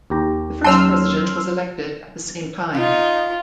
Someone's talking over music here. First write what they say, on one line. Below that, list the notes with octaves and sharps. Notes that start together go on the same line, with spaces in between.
The first president was elected at the same time.
D#2 G4 A#5
F#3 C#4 C#5 A5 C6 E6 F6
D#4 F4 F5